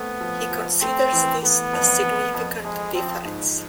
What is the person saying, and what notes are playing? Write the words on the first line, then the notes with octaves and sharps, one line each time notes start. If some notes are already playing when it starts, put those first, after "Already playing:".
He considers this a significant difference.
Already playing: A3 B3 C4
F3
F3
A3 C4
E3
A3 B3
F2
F2
F2
F2 G#3
F3 C4
G#2